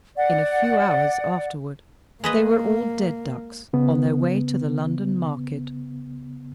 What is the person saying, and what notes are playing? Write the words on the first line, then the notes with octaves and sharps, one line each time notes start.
In a few hours afterward they were all dead ducks on their way to the London market.
D5 F#5
G#3 A#3 B4 D#5
C#3 B3